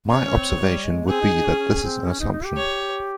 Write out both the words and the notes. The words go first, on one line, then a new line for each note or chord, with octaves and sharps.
My observation would be that this is an assumption.
C#4 C#5
C#4
C4
G3
G#3
C4 G#4
D#4
D#4
C#4
C#4
C4
C#4
D#4
D#4
G4
C#5